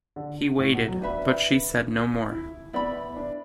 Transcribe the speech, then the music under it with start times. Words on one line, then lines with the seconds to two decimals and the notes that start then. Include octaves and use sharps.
He waited, but she said no more.
0.16 D3
0.60 A2
0.73 B2
0.88 F#3
1.02 D4 B4 E5 B5
2.31 E4
2.73 B3 E4 D5 B5
3.17 D4